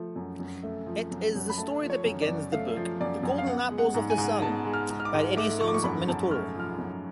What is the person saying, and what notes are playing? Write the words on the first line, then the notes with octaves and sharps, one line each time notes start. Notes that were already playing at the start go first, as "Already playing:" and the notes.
It is the story that begins the book “The golden apples of the sun” by Ediciones Minotauro.
Already playing: F3 A3
F#2
F#2
A3
F3
F#2
F#2
B5
A3 A5
F3
C#5
F#2
D5
F#2
A3 F5
F3
F#2 D5
F#2
F5
B3 F#5
G#3
F#5
G#2
G#5
G#2
B3 A5
G#3
F6
G#2
F6
D6
G#2
A3 D6
F3 C#6
D6
C#6
F#2 B5
F#2 A5
A3 F6
F3 F6
F#2